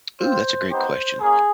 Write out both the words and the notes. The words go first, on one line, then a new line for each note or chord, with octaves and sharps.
Ooh, that's a great question.
C4 F4 C5
B3 D#4 G4 C5
A#3 C#4 G#4